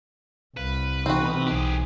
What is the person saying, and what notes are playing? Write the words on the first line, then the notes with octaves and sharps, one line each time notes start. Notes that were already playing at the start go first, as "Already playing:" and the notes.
Oh, wow.
C2 B4 F5
E3 A3 C4 D#4 F#4
B1 G4 G#4